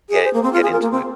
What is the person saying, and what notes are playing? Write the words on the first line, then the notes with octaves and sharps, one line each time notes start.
get get into it.
G#4
C5
A#3
C4
F4
G#4
A#4
A#3
C4